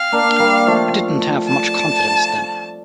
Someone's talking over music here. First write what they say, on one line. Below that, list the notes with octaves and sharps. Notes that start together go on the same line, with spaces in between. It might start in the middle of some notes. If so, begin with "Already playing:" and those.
I didn't have much confidence then.
Already playing: C4 F5
A#3 D4
G3 A#3
F3 A3
A5